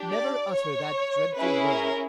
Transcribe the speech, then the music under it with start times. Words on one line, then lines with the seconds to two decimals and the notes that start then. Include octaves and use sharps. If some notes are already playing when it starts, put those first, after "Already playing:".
"Never utter that dreadful word."
Already playing: D4 G4
0.10 D5
0.52 C#5
1.37 C#4 E4 G#4 B4
1.66 A#4